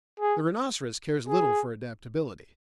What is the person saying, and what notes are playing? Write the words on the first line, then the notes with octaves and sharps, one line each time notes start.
The rhinoceros cares little for adaptability.
G#4
G#4